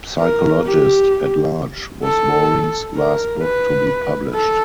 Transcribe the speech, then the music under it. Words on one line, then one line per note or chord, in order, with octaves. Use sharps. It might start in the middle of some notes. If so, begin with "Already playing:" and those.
"Psychologist at Large" was Boring's last book to be published.
A#4
G4
A4
A#4
B4
A4